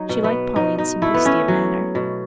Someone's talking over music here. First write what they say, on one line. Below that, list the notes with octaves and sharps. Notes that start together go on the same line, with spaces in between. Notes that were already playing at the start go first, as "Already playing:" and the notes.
She liked Pauline's simplicity of manner.
Already playing: F#3 D#4
B2
B3
B2 D#4
D#4
A3 E4
B3
C#4
F#3
B2